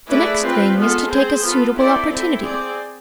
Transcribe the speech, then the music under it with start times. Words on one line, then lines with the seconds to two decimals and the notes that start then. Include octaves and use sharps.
The next thing is to take a suitable opportunity.
0.08 A3 E4 G#4 B4 D5
0.42 C4 F4 B4
0.76 G#3 B3 F4 A4
1.09 C4 G#4 C5
1.43 B3 F4 A4
1.75 C4 E4 A4 D5
2.10 C4 E4 A4
2.42 C4 G#4 D5